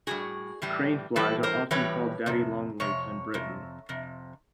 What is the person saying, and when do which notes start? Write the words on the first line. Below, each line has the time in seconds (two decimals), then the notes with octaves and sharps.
Craneflies are often called daddy-long-legs in Britain.
0.07 A2 E3 G3 F#4 G#4
0.62 A2 E3 G3
1.16 A2 E3 G3 A4 B4
1.43 A#4 C5
1.71 A2 E3 G3 B4 C#5
2.26 F2 C3
2.80 F2 C3 C#5
3.34 F2 C3
3.89 F2 C3